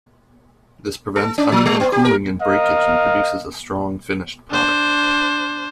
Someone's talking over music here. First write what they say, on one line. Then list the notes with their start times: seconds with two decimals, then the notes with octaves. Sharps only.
This prevents uneven cooling and breakage and produces a strong finished product.
1.16 A4
1.38 C#4
1.52 F3
1.66 G3
1.80 B3
1.92 G4
2.05 A#4
2.41 A#4 D#5 F5
4.50 D4 C5